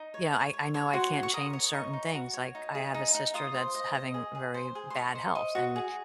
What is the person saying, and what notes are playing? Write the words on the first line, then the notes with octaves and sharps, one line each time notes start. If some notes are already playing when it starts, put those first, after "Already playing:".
you know, I I know I can't change certain things. Like, I have a sister that's having very bad health, and,
Already playing: D#4
C#5
C#5
C#5
C#5
F#4 C6
C#5
C#6
A#4 D#6
C#5
D#4 C#6
D#4
F#4
C#5
D#4
G#4
D#4
D#4
F4 D#6
C5
D#5
D#5
G#4
G#4
C5
G#4
C6
D#5 C#6
C5
D#5
F#4
G#4